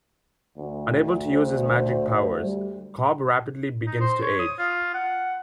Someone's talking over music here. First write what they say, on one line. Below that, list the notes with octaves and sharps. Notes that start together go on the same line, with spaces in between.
Unable to use his magic powers, Cob rapidly begins to age.
D2
C5
G3
D#4
C5
C#5
D#6
F4
F#5